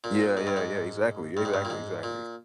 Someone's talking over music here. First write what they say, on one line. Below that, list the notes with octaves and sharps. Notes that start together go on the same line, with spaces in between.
Yeah, yeah, yeah, exactly, exactly, exactly.
A#2
G#2
G2
G#2
G2
G#2
G2
A#2
G#2
A#2